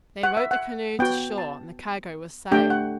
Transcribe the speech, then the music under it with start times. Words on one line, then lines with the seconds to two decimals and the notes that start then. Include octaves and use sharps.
They rowed the canoe to shore and the cargo was saved.
0.23 F#5
0.37 E5
0.51 F#5
0.99 B3 F#4 G5
1.38 A5
2.52 A3 D4 G4 G5
2.70 F#5